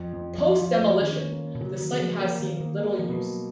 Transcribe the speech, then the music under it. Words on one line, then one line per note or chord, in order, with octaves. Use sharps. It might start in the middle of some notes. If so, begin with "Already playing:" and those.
Post-demolition, the site has seen little use.
Already playing: F2
F2
F#3
F3 F4
F3
F4
F3
D#3 C#4
A#3
B2
C#3 F#3
D#3
C#3
F3
F3 A#3
D#3
A#3
D#3
A#3
F3
B2
F#3